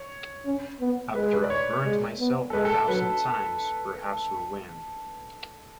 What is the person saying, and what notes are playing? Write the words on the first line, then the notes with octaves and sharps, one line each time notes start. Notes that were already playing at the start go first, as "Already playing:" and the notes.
After I've burnt myself a thousand times, perhaps we'll win.
Already playing: C#5
C#4
B3
G#3 B4
B4
D5
C#5
G#3
B3
A4
G#3 B4
A4
F#3 B4